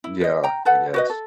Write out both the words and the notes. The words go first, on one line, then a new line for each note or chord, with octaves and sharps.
Yeah, I guess.
E4
B4 D#5
G5 A#5
A4 B4 F#5
F#4 B4 D#5
A4